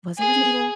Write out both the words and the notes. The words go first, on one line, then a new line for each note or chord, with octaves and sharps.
was it Resident Evil?
G#4